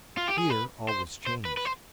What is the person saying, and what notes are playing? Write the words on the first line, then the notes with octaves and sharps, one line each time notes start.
Here all was changed.
F4
G4
G#4
B4
C5
C5
B4
B4
C5